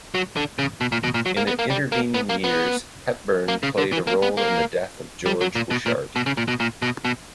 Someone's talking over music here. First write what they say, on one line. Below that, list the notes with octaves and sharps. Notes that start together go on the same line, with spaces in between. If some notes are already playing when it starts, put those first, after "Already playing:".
In the intervening years, Hepburn played a role in the death of George Wishart.
F#3
D3
C#3
B2
A#2
B2
A#2
F#3
A#3
B3
A#3
G3
A#3
B3
A#3
B3
A#3
C#3
D3
E3
A#3
B3
A#3
G3
F#3
A#2
B2
A#2
B2
C#3
A#2
B2
A#2
B2
B2